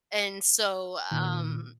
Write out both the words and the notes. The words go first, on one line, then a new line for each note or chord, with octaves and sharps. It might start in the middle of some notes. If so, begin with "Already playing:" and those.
And so, um,
A#2 D#3